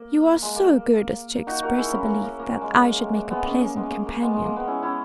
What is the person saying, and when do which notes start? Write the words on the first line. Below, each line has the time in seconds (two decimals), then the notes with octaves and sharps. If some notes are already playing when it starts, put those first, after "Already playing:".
You are so good as to express a belief that I should make a pleasant companion.
Already playing: A#3
0.42 G#3
0.56 A#3
1.47 D#4 F#4
1.63 F#4 A#4
1.77 E4 G#4
1.93 C#4 E4
2.08 A#3
2.23 A#3
2.39 A#3
2.61 G#3
2.84 A#3
2.99 G#3
3.15 A#3
3.30 G#3 B3
3.45 A#3 C#4
3.61 A#3 C#4
3.76 G#3 B3
3.91 A#3
4.07 A#3
4.22 G#3 B3
4.33 G#3
4.45 A#3
4.56 G#3 B3
4.67 C#4 E4
4.83 C#4 E4